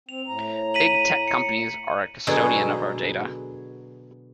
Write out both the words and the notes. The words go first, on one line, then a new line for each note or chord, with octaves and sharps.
Big tech companies are a custodian of our data.
C4 F7
A2 A#5
B6 D#7 F#7
C#7
B2 D3 F#3 B3 G#4